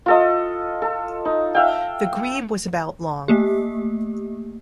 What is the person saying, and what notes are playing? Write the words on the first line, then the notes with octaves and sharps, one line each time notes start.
The grebe was about long.
F4 A4 D#5
A4
D#4
E5 F5 G5
A3 A#3 G4